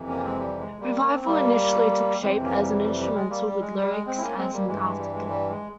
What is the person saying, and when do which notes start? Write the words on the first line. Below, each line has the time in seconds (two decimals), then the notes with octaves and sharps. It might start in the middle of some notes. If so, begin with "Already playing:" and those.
"Revival" initially took shape as an instrumental, with lyrics as an afterthought.
Already playing: F2 C3 E3
0.08 A#3 C#4
0.24 G#3 C4
0.40 G3
0.59 G#3
0.80 G3 A#3
1.00 A#3
1.14 C4
1.26 G3 A#3
2.22 F2 C3 E3 G#3 C4
2.43 A#3 C#4
2.63 G3
2.84 G3
3.00 G3
3.14 G#3
3.30 G3 A#3
3.46 G3
3.61 G#3
3.76 G3
3.91 G#3
4.07 G#3 C4
4.18 E4
4.21 A#3 C#4
4.37 G#3 C4
4.53 G3 A#3
4.67 G2 E3 G#3
4.84 G#3
4.98 G3
5.14 G#3
5.29 G3
5.50 G#3